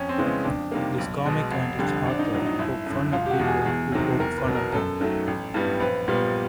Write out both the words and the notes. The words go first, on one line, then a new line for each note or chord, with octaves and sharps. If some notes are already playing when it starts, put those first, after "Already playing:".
This comic and its authors poke fun at people who poke fun at them.
Already playing: F2 C#4
C4
C#3 E3 G#3 B3
C#4
F2 D4
C3 D#3 G3 A#3
B1
B2 G#3
F1
F2 D3 G3
A#1 D4
D#4
A2 F#3
D#4
G1 E4
F#2 D3
E1 F4
G4
F#4
E2 B2
G#4
E2
C3 D#3 F#3
E2 A#4
B4
B2 F#3
A#4
F#2 A4
D#3 F#3 A3
A1
G2 E3 G3 B3
A#1 B4
A#2 G3 B3